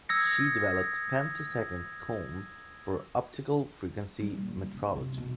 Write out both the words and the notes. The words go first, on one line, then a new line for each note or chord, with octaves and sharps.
She developed femtosecond combs for optical frequency metrology.
D#6 E6 G#6 A#6 C#7
G3
A#2
C#3
C#3
C3
B2